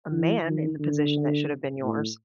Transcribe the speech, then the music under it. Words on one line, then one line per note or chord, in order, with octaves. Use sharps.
a man in the position that should've been yours.
E3
D#3
D3
A2